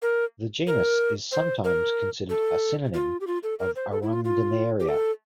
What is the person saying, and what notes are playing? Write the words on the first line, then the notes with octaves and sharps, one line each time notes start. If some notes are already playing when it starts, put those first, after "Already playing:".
The genus is sometimes considered a synonym of "Arundinaria".
A#4
A#4
C5
A#4
A4
F4
G4
F4
A4
A#4
C5
A4
E4
F4
F4
G4
A4